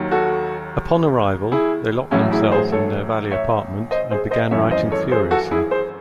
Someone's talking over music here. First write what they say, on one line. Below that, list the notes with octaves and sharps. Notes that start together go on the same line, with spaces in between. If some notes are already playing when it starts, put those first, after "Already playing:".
Upon arrival, they locked themselves in their Valley apartment and began writing furiously.
Already playing: D#2 D#3 F#3
F#4 A4
E4 G#4
A1 A2 F#3 C#4 E4
E4 G#4
G#4 C5
A4 C#5
C#5 E5
C5 D#5
G#4 C5
C5 D#5
G#1 F#2 E3 C#5 E5
C5 D#5
A4 C#5
G#4 C5
F#4 A4
E4 G#4
G#4 C5